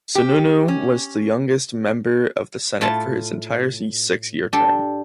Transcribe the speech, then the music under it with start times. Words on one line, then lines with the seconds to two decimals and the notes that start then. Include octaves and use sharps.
Sununu was the youngest member of the Senate for his entire six-year term.
0.15 G4
0.68 C#4
2.81 A2 A3 E4 F4 A5
4.53 D4 G4 A4